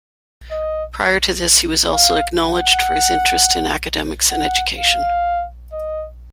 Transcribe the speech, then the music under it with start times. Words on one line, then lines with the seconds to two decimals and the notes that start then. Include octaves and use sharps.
Prior to this, he was also acknowledged for his interest in academics and education.
0.51 D#5
1.93 F5
2.41 F#5
4.31 F#5
4.78 F5
5.73 D#5